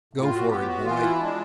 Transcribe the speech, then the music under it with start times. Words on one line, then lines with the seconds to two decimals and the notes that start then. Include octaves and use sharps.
Go for it, boy.
0.13 A2
0.21 F4
0.35 F#4
0.49 B3 G4
0.60 G4
0.67 F#4
0.84 E3 F4
1.03 E4
1.20 G#3 D4